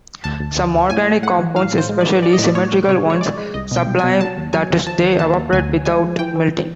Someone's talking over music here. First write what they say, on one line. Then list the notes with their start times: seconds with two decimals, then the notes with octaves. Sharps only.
Some organic compounds, especially symmetrical ones, sublime, that is they evaporate without melting.
0.24 D2 A5
0.40 D2
0.57 D2
0.73 D2
0.90 A2 G#5
1.07 A2
1.23 A2 F#5
1.39 E3
1.56 A2 F5
1.73 A2 C5
1.89 G#3
2.01 D5
2.06 E3
2.22 E3 D5
2.33 D#5
2.39 A2 D5
2.55 A2 C#5
2.72 A2
2.88 C3 C#5
3.05 G#3 C#5
3.21 G#3 D5
3.37 G#3
3.54 C2 D#5
3.71 B2 G5
3.87 C2
3.99 B2 G#5
4.21 F#3 A5
4.38 D#2
4.53 F#3 G#5
4.70 D#2
4.87 F3 A5
5.02 D#2
5.19 D#2 A5
5.36 D#2
5.53 D2 G#5
5.69 D2
5.85 G#3 G#5
6.03 F3
6.19 E3 G5
6.36 E3